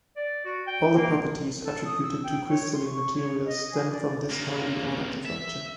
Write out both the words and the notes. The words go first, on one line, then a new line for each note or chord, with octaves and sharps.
All the properties attributed to crystalline materials stem from this highly ordered structure.
D5
F#4
G5
A#3
A4
D#6
E6
G5
C#5
C6
C#6
C#5
D#5
G#4
D5
C3 A#3
E5